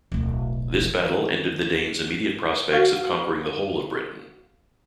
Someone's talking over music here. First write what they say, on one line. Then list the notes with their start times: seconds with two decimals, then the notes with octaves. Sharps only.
This battle ended the Danes immediate prospects of conquering the whole of Britain.
0.12 D1 B1
0.81 D3 D#3
2.72 F#4 F5